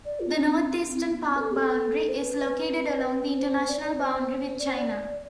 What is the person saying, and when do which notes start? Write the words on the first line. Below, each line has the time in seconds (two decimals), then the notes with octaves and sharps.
The northeastern park boundary is located along the international boundary with China.
0.05 D5
0.20 F4
0.35 C4
0.43 D4
0.51 C4
0.59 D4
0.67 C4
0.96 E4
1.06 C4
1.10 B3
1.26 C4
1.36 B4
1.41 A4
1.52 G4
1.56 A4
2.09 C5
2.17 B4
3.38 C5
3.65 C5
3.69 D5
3.83 D5
3.99 C5
4.13 C5
4.59 D5
4.68 C5
4.77 D5